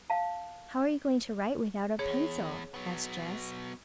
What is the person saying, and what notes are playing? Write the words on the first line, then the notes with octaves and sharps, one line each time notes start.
"How are you going to write without a pencil?" asked Jess.
F5 A5
E2 G#4 C#5
F#3 B3